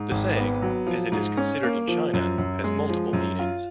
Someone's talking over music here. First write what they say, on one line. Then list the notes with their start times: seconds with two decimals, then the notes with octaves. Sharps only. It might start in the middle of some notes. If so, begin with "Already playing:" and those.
The saying, as it is considered in China, has multiple meanings.
Already playing: G#2
0.11 G#1
0.36 B3
0.62 F#3
0.87 F3
1.12 G#2
1.37 C#4
1.63 A#3
1.88 F3
2.14 F#2
2.38 F#2
2.64 G#3
2.89 F3
3.13 F#2
3.39 F4